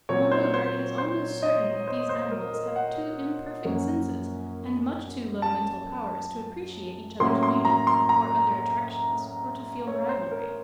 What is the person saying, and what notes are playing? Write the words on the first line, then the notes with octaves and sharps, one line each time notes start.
Moreover it is almost certain that these animals have too imperfect senses and much too low mental powers to appreciate each other's beauty or other attractions, or to feel rivalry.
A#2 F#3 C4 C#5
C5
C5
C5
D#5
C5
C5
A#4
A#4
F#5
F#2 F3 A#3 C#4
A5
A2 F#3 A#3 C#4 C6
C6
A#5
C6
A#5
C#5
C5
A#4